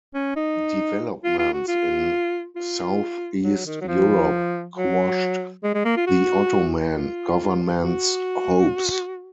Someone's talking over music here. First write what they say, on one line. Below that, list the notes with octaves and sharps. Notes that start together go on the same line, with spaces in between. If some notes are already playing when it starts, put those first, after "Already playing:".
Developments in Southeast Europe quashed the Ottoman government's hopes.
C#4
D#4
F4
F4
F#4
F4
F4
F#3
D#3
F#3
F3
F#3
G#3
G#3
A#3
F4
F#4
F4
F#4